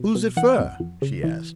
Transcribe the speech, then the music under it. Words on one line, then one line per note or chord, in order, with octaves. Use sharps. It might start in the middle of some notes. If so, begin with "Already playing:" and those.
"Who's it fur?" she asked.
Already playing: B2
B2
E3 F#5
F2
F2
C#3
E3